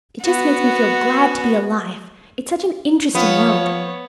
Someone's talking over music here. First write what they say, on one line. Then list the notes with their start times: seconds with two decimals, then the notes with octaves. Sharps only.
It just makes me feel glad to be alive--it's such an interesting world.
0.22 B3 F#4
3.15 F3 B3 C#5